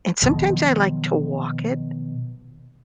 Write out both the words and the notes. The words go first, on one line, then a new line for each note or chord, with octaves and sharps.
and sometimes I like to walk it
B2 D#3 F3 F#3